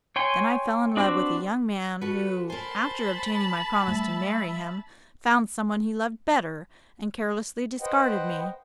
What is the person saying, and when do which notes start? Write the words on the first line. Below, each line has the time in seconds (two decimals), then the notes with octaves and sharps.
Then I fell in love with a young man who, after obtaining my promise to marry him, found some one he loved better and carelessly discarded me.
0.16 C#5 G5 G#5 C6
0.97 C4 D4 F#4 B4 C5
2.01 F#4 A4 B4
2.50 A#4 C5 G#5 A5 B5
3.88 G3 A3 E5
7.81 B4 C5 D#5 F#5 G5